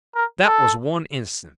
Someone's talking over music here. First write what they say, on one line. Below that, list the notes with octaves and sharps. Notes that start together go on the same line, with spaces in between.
That was one instance.
A#4
A4